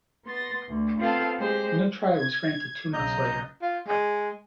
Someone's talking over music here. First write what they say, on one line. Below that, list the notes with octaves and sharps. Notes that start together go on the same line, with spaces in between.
A new trial was granted two months later.
B3 C6 A6 A#6
D2
B3 C4 F4 A4 F5 A5
G#3 G4 C5
G#6
B1 C#3 D#5 A#5 G6
F4
G#3